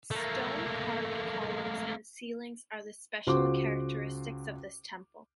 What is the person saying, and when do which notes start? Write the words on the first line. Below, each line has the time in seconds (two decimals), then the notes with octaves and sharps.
Stone carved columns and ceilings are the special characteristics of this temple.
0.11 A3 A#3
3.27 C#2 F4 F#4 C5 D6